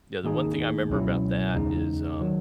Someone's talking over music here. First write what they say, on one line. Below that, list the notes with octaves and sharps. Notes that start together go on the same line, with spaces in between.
yeah, the one thing I remember about that is, um,
G#2 D#3 A#3 D#4 G#4
C#2 B2 F#3 C#4 E4
E2 C#3 G#3 D#4
D#3 F#3